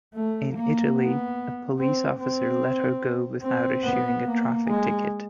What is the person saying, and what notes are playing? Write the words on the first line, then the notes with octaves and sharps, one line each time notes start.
In Italy, a police officer let her go without issuing a traffic ticket.
A3
A#3
B3
C4
C4
C4
B3
A#3
G#3